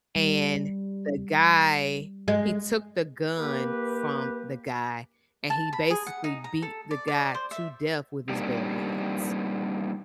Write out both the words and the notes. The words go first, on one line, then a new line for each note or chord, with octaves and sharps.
and the guy he took the gun from the guy, and he basically beat the guy to death with his bare hands.
G3
G#3
A#3 G4 B4
A5
B5
G#4
F#5
D#4
A#5
A4
D5
D5
C5
E5
G3 A#3 C4 D4 D#4 G4